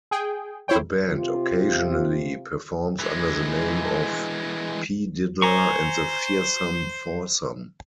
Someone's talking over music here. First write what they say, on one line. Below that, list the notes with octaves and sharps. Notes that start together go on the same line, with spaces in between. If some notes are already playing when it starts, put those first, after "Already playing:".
The band occasionally performs under the name of P Diddler And The Fearsome Foursome.
G#4 G5
E4 C5 C#5 G5
C3 F4
E3 G#3
C5 G#5 A#5 C#6